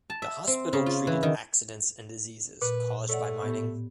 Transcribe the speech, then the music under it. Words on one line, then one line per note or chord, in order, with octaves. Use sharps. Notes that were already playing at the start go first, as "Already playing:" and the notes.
The hospital treated accidents and diseases caused by mining.
A5
E5
C4
C#3
F4
E3
D#3
A#2 B4
A3 C#5 D5 F#5
A2 B3 G4